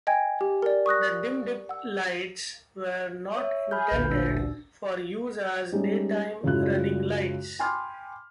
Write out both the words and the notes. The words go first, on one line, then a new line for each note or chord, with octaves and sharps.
The dim-dip lights were not intended for use as daytime running lights.
D#5 G5 G#5 G#6
G4
A#4 D5
C#6 D#6 F#6 A#6
F#5 E6
C#5 E5
G#4 B5 F6 G6
A1 D2 A#2 B4 G6
D4
G3 G#3 B3 C#4 D#4
F#2 C#3 G#3 E4 F4 F#6
G5 G#5 B5 C6 D6 F6